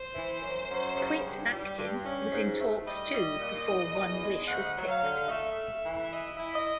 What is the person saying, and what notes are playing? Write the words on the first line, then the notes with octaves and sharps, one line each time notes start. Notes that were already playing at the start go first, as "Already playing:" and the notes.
"Quit Actin" was in talks, too, before "One Wish" was picked.
Already playing: C5
E3
F#2
F#2
C#3
G2
G3
G2
C#4
G#2
A3
G3 D#5
G3
A#2
E2
E2
G#3
D2 F#5
F#3
F5
D3
D#5
A3 E5
A3
E3
E4 D#5
E4
D#5